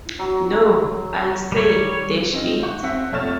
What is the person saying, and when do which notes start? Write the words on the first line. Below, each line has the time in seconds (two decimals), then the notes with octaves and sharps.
No, I say, dash it!
0.19 F#3
1.52 G3 C#5
2.33 C4 D#4 F4
2.63 F#5 C#6 G6
2.83 C4 E5 F#5
3.12 F2 A3 C#5 F6 A6 E7